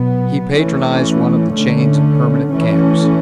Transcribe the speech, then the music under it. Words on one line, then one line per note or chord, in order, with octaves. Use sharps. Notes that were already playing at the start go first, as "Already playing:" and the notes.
He patronized one of the chains of permanent camps.
Already playing: B2 F#3 B3
E3 A3 C#4
D3 A3 C#4
E3 A3 C#4